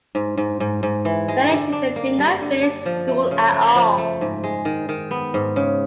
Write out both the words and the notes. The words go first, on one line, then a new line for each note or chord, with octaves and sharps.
Many children did not finish school at all.
G#2
G#2
G#2
G#2
E3
G#3
D3
D4
A#3
G3
D3
D4
F3
A3
C#3
A3
F3
A3
G#2
G#3
D#3
D#3
B3
G#2
C#3